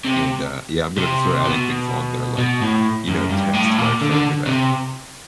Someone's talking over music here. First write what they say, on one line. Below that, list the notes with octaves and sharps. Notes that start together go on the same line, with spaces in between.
and, uh, yeah, I'm gonna have to start adding things on there, like, you know, text my friend back.
C3
C3
B2
B2
A2
F#2
G2
A2
A#2
D3
D3
C3